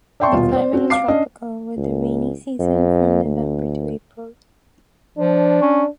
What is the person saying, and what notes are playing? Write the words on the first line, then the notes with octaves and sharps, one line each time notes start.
The climate is tropical, with a rainy season from November to April.
D5 E5 G5 A5 C6 C#6
D#1 B2 F4
C5 D5
C4 C#4 F#4
F5 D6 C7
C#4 D4 D#5
C#2
F2
D2
F3 D4
C#4